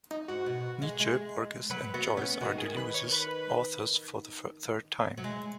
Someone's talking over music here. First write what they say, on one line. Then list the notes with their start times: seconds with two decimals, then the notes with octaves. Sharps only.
Nietzsche, Borges, and Joyce are Deleuze's authors for the third time.
0.11 D#4
0.28 G#2 F#4
0.46 B2
0.82 G#3
0.99 G#3
1.70 F#3 B4
1.94 B3 F#4
2.17 B3 C#4
2.41 D#3 F#4
2.58 G#4
2.77 B4
2.94 C#5
3.12 B4
5.18 F#3
5.24 G#3